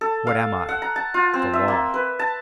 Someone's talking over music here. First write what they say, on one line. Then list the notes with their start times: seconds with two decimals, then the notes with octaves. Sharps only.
What am I?--the law.
0.01 A4
0.27 F5
0.69 F#5
0.82 A#5
0.96 A5
1.14 F4
1.34 C4
1.53 E5
1.68 A#3
1.94 B4
2.19 A5